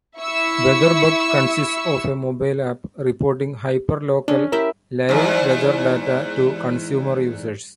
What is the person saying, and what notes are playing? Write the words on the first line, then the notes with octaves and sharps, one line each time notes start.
WeatherBug consists of a mobile app reporting hyperlocal live weather data to consumer users.
E4 E5 C#6 E6 C#7
C#4 D4
E4 G4 A#4 E5
E2 G#2